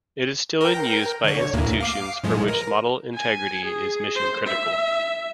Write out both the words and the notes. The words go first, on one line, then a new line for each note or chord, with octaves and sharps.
It is still in use by institutions for which model integrity is mission critical.
A#4 G5
D3 C#5
D2 A2 A#3
F5 D6 C7
A2 F3 G#3
A#4
G#5
G#4
C5
E5